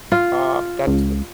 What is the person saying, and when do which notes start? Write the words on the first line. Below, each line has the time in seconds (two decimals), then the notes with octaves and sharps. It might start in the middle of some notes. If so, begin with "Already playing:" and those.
Um, that's the
0.12 F4
0.87 C#2